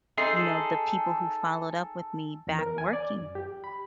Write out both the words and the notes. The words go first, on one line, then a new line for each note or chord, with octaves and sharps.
you know, the people who followed up with me back working,
D#4 G#4 A4 C6
E2
A#4
G#5
D5
F#2
G4
B5